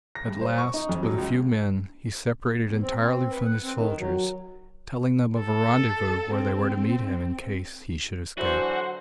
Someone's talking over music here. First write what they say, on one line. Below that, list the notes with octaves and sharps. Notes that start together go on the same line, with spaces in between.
At last, with a few men, he separated entirely from his soldiers, telling them of a rendezvous where they were to meet him in case he should escape.
A#6
G2
C5
C#6
D#4
F2
F#3
C#2
E2
C4
C4
B4
F#5
C4
D#3
F#3
A4
C4
D3 E3 F#3 F#4 C5